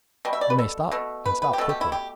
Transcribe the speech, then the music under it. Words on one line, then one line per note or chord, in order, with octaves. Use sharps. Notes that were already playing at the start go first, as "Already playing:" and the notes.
"You may stop, and stop quickly."
B2 G3
E5
D5
B4
A4
B2 A3
B4
B4
G4
B2 A3 A4
G4
E4
G4